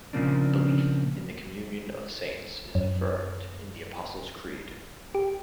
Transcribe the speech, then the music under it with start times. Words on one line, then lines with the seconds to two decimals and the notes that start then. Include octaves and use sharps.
Belief in the communion of saints is affirmed in the Apostles' Creed.
0.13 A#2 C#3 F3 A#3 C4 D4
2.75 F#2
5.15 G4